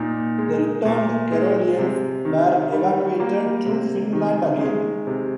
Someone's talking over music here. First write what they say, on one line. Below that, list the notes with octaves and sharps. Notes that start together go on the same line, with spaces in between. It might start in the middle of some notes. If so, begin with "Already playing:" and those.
The returned Karelians were evacuated to Finland again.
Already playing: A#2 D#4
G#3
A#2
G#3
C3
D#3
G3
A#3
C3
D#3
G#3
C3